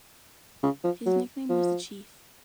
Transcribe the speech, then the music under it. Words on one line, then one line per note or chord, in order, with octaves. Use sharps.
His nickname was "the Chief".
C#3
F3
F#3
F3